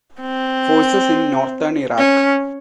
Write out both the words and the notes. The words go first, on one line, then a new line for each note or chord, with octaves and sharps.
Forces in Northern Iraq.
C4
C#4